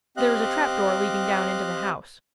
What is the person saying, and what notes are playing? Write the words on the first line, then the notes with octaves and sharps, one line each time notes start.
There was a trap-door leading down into the house.
C4 G4 D#5 F5 F#6